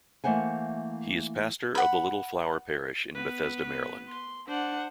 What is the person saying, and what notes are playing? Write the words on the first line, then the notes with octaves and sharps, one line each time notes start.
He is pastor of the Little Flower Parish in Bethesda, Maryland.
E3 A3 A#3 C5 F#5 G#5
F#5 B5
B3 B4
C6
D4 C5 F#5